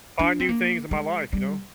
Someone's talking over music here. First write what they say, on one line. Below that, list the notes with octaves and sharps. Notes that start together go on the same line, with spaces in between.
find new things in my life, you know?
D4
C4
A#3
G#3
G3